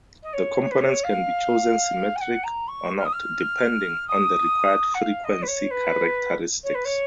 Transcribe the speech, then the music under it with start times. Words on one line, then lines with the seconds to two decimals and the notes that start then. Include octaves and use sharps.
The components can be chosen symmetric or not, depending on the required frequency characteristics.
0.23 D#5
0.33 C#5
0.71 B4
0.80 C#5
1.03 F5
2.15 G#5
2.20 F#5
2.43 A#5
2.67 C#6
2.98 F6
3.05 D#6
3.12 F6
4.07 D#6
4.94 F#5
5.00 F5
5.24 D#5
5.42 B4
5.47 C#5
5.70 B4
6.63 C#5
6.74 B4
6.84 C#5